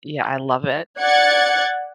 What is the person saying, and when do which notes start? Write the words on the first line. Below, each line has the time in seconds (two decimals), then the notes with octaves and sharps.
Yeah, I love it.
1.00 D5 F#5 F#6 G#6 A6 C#7